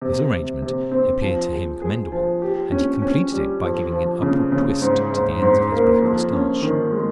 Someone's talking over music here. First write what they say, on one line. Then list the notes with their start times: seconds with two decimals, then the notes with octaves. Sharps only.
This arrangement appeared to him commendable, and he completed it by giving an upward twist to the ends of his black moustache.
0.02 C3
0.32 C3
0.62 C3
0.91 C4
1.22 F3
1.52 G#4
1.82 G#4
2.12 F3
2.42 G4
2.72 C#4
3.02 C#4
3.32 G3
3.62 F2
3.92 F3
4.22 C#3
4.52 C#3
4.82 G#2
5.12 G#2
5.42 G#2
5.72 A#3
6.02 F2
6.32 C#4
6.62 D#3
6.92 G#3